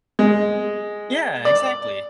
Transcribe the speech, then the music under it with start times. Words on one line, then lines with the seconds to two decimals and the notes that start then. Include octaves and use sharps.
Yeah, exactly.
0.19 G#3
1.45 D5